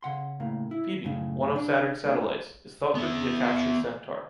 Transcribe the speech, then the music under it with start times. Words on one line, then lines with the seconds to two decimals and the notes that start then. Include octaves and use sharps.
Phoebe, one of Saturn’s satellites, is thought to be a captured centaur.
0.03 C#3 F#5 C6
0.40 A2 C#3 A#3
0.71 E4
1.03 F#2 A2 C#3
1.56 D4
2.05 A#3 D4 A4 D5
2.95 B3 E5